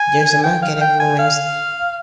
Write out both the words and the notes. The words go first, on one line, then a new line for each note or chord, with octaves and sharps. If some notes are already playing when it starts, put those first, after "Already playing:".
There is a market every Wednesday.
Already playing: G#5
G5
F5
G5
G#5
F5